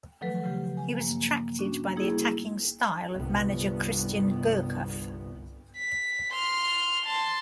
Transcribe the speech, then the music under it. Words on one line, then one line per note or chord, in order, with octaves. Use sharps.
He was attracted by the attacking style of manager Christian Gourcuff.
D#3 F3 F#3 A3 A4 B4
C#3 F3 A3 G4
G#5
G2 A#3
C#4 D4 F#4
G3 A#3 D#4 E4 G#4
G1 C2 B3
B6
C6 F6
A5 C6